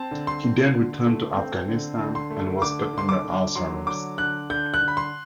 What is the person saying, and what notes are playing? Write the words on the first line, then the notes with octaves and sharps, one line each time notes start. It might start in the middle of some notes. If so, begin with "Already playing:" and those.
He then returned to Afghanistan and was put under house arrest.
Already playing: C4 A5
D3
C6
D3
D3
A3
C4
D3
D3
C6
A3
D3 D6
D3 C6
D6
D3
F#3 C6
D3 D6
D3 F#6
D3 G6
F#6
D3
B5
C6